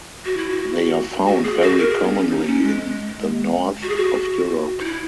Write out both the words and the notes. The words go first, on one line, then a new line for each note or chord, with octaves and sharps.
They are found very commonly in the north of Europe.
F#4
E4
F#4
F#4
G#4
F#4
A#4
G#4
B3
C#4
D#4
C#4
G#3
F#4
G#4
F#4
D#4
E4